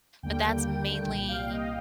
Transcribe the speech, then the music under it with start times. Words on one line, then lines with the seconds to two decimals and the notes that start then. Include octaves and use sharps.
But that's mainly,
0.23 D#2 D3 G3 A#3 G5
1.07 C2 A#2 G3 G5
1.29 F5
1.50 D#5